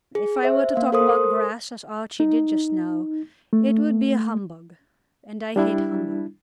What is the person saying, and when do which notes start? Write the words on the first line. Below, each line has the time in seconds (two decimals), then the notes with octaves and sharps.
If I were to talk about grass, as Archie did just now, it would be a humbug, and I hate humbug.
0.15 G#4
0.43 C5 E5
0.76 A#3 F5
0.92 A4 A#4 C5 C6 D#6
2.20 D#4
3.53 A3
5.56 G3 D4 E4